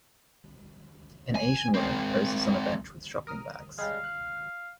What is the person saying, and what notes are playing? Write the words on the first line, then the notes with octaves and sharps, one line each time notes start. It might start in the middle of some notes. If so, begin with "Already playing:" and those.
An Asian woman poses on a bench with shopping bags.
G#5
G#3 C4
A#4 D#6 F6
C#3 G3 G#3 F5
F#6